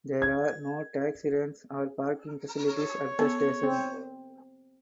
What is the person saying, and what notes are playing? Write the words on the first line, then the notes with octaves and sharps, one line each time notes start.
There are no taxi ranks or parking facilities at the station.
G#6
C#5
B3 A4
C4